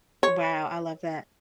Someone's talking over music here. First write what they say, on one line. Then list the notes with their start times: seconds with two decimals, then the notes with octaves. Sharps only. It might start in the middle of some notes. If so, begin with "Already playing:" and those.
wow, I love that.
0.23 C#5